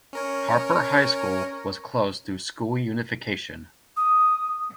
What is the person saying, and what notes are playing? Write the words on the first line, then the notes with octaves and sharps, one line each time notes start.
Harper High School was closed through school unification.
C#4 A#4 C#5
D#6